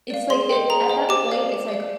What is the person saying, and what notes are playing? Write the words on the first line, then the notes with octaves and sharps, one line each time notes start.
it's like it At that point, it's like,
D5 F5
G#4 C6
C5 D#5 G5
G#4 A#5
C5 D#5 G5
G4 D6
D5 F5
G4
D5
F5